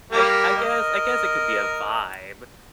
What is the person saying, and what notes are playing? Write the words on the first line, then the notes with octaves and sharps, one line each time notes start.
I I guess I guess it could be a vibe.
G3 A#3 G4
A#4 D#5